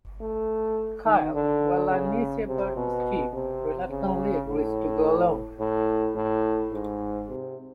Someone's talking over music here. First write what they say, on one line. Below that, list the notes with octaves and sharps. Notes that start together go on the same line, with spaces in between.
Kyle, while uneasy about the scheme, reluctantly agrees to go along.
A3
D#3
D3
C#3
C3
B2
C3
C#3
A2
A2
A2
G#2
C3